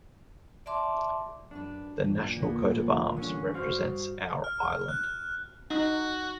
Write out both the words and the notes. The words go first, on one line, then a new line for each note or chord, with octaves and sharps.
The National coat of arms represents our island.
D5 E5 A5 C6 D6
F#2 D4 A#4 B4
B1 G2 A#2 E3 F#3 G4
E2 D3 A#3 B3
A2 F3 D5
D3 E3 G3 A3 C#4
G2 G3 F#4 C5 D5 F5
F6
F#6
D#4 F#4